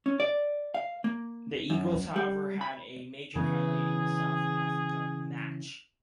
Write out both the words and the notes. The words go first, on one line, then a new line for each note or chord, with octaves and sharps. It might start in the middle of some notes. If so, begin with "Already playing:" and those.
The Eagles, however, had a major highlight in the South Africa match.
C#4
D5
F5
A#3
F#2
G3
B5
C#3 E3 B3 G#4